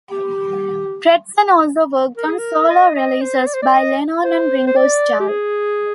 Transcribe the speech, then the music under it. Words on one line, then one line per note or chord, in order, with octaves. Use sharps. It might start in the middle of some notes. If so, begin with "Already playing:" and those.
Preston also worked on solo releases by Lennon and Ringo Starr.
G4
A#4
G#4
A#4
D#5
D#5
C5
D5
C5
D5
D#5
C5
C5
D5
G4
G#4